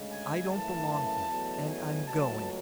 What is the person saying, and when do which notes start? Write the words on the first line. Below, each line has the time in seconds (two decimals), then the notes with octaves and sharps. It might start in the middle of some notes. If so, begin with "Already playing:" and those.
I don't belong here, and I'm going.
Already playing: D2 C#3 G#3
0.12 G#5
0.50 F#2 C#3 E3 A3 A5
1.28 E2 B2 F#3 A3
1.67 G#5
2.06 C#2 B2 F#3 A3 A5